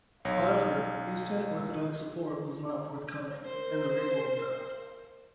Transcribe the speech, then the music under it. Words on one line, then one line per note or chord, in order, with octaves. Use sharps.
However, Eastern Orthodox support was not forthcoming, and the reform failed.
B1 C#5 A#6
A#4 C5